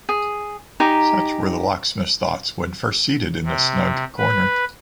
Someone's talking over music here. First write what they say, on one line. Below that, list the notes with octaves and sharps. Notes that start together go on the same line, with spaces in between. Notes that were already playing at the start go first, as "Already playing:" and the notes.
Such were the locksmith's thoughts when first seated in the snug corner.
G#4
D#4 G4 G#5 A#5
C3
B4